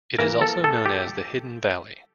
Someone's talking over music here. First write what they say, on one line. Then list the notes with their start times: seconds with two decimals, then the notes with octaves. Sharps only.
It is also known as "The Hidden Valley".
0.19 E3 A#3 A#4
0.41 A4
0.64 A4
0.86 G4